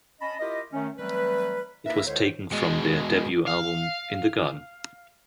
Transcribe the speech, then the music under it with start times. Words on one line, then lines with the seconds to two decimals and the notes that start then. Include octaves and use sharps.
It was taken from their debut album "In the Garden".
0.21 C#4 D#5 A5 B5
0.39 E4 F4 G4 A#4 D#5
0.73 D#3 A3 C#4
0.97 E3 F#3 G3 A3 C4 B4
1.86 A#3 D#4 E4 A#4 B4 E5
2.06 C#2 D3 C5 C#5
2.52 B2 G#3
3.48 F5